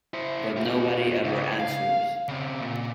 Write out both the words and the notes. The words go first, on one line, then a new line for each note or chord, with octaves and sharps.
But nobody ever answers!
E4 C5
F4 G4
C#2
F5
C#3 C4
A#2